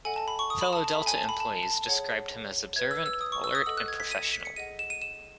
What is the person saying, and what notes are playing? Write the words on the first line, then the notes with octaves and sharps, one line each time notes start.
Fellow Delta employees described him as observant, alert, and professional.
A4 D#5 F#5 G#5
A5
B5
C#6
D#6
B5
A5
A5
A4 E5 B5
G#5
A5
B5
A5
A5
G#4 C#5 F#5
B4 E5 G#6
E6
E6
D#6
C#6
E6
D#6
A4 D#5 F#5 E6
F#6
G#6
B6
D#7
C#7
B6
C#7
G#4 D#5 F#5 D#7
E7
D#7
E7